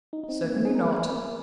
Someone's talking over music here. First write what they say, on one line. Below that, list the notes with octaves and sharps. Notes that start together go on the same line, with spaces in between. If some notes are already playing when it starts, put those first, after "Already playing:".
"Certainly not."
D#4
D#4
C4
A#3
C4
G#4
A#4